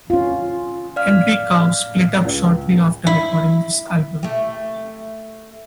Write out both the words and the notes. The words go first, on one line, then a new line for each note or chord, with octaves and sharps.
Henry Cow split up shortly after recording this album.
C#4 F4
D5 F5 F6
C#2
E4
A3 G4